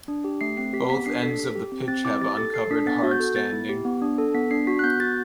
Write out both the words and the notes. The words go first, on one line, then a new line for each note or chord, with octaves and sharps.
Both ends of the pitch have uncovered hardstanding.
D4
G4
A3 C7
C4 C7
G4 B6
B3 B6
D4 C7
A4 B6
G4
G4
C4
C4 A6
E4 D6
G4 A6
A4 A6
A4 C7
D4 B6
B3 A6
F#4
G6
A4
B3 A6
E4
G4
B3
D4
A4
B3 B6
D4 C7
F#4 B6
F#6
B3 G6
F#4 A6